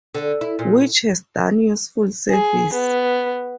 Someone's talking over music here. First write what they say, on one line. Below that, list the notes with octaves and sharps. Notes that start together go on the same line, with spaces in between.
Which has done useful service.
D3
E4
A#2
G#4
B3